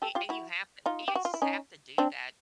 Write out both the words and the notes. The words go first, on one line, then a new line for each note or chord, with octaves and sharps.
a and you have to you just have to do that
G4 A4
F4 G4
E4 F#4
D#4 F4
G4
F#4
F4
E4
C#4 D#4
C4 D4